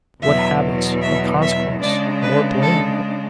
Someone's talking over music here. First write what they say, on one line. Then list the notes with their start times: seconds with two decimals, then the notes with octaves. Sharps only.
What habits, of consequence, more blameable?
0.22 E2 B2 F#3 E5
1.01 E5
1.42 E5
1.81 C#3 G#3 D4 D5
2.22 B4
2.62 A4